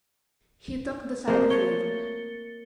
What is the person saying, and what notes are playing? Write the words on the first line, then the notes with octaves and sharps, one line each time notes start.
He took the side of labor.
A3 A#3 C4 C5 E5
C#5 A6 C#7 G7